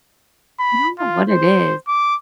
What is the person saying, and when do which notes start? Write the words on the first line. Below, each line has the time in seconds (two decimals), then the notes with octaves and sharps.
I don't know what it is.
0.60 B5
0.99 F4
1.29 C5
1.88 D6